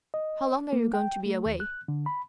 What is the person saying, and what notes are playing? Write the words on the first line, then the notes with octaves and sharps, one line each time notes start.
"How long are you going to be away?"
D#5
A#3
G5
A3
D#2
F#6
D3
B5